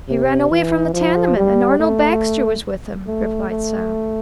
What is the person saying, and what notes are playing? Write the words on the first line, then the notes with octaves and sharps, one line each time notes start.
"He ran away from the tenement, and Arnold Baxter was with him," replied Sam.
C3
E3
F3
G3
A3
A3
A3